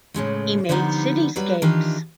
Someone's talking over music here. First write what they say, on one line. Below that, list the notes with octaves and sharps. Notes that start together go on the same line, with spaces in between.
He made cityscapes.
A2 C#3 G#3 A3
D3 F3 G3 B3 D#4
F#3 G3 B4
D#3 E3 D4 F4 G4